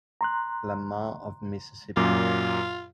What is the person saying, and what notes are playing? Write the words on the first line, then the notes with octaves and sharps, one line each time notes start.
Lamar of Mississippi.
A#5 C6 F#6
F#2 A#2 F#3 F4 D6